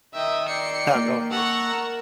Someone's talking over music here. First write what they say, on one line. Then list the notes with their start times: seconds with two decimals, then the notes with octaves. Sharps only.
Oh, go ahead.
0.14 D#3 D#5 E5 G5
0.48 D5 G5 C7 C#7
0.95 A#3
1.32 F#5 A5 A#5 C#6 E6
1.68 A#4